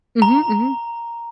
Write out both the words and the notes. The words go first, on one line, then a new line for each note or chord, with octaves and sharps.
Mhm, mhm.
A#5